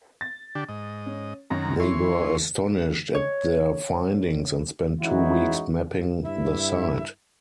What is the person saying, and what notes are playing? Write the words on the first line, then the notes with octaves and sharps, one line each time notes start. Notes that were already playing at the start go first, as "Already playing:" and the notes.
They were astonished at their findings and spent two weeks mapping the site.
A6
D3 D4 G4
G#2 D#5
C#4
F#2 D#3 F#3 A#5
E3 E4 C#5 C6
C#5
E3 G#3 C#4 D#4 E4 F#4
G2 E4 E5